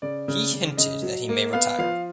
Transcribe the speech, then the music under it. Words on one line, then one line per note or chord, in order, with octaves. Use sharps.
He hinted that he may retire.
C#3 D5
C#3
C#3
C#3 D#5
F#3
A#3
B3 F5
F3 F5